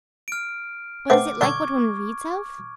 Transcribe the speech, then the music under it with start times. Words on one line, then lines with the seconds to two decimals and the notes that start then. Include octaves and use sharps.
"But is it like what one reads of?"
0.28 F6 D7
1.10 A3 B3 C4 D6
1.41 D3 D4 C#6 D6 G#6